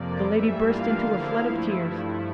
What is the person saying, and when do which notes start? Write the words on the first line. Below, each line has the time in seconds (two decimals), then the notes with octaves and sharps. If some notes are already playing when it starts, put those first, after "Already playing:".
The lady burst into a flood of tears.
Already playing: F2 C3 F3 A#3 D5
0.25 G2 E3 G3 E5
0.63 E3 G3 A#3 D4 F4 F5
1.02 D3 F3 A#3 E4
1.41 G2 F3 A3 E4